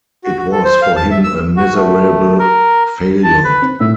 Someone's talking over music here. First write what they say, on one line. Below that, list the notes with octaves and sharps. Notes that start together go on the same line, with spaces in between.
It was for him a miserable failure.
F#4
F#4
A4
C5
F5
A5
E5
E6
F#4
A3
A#4
A5
B4
C4
A2 E5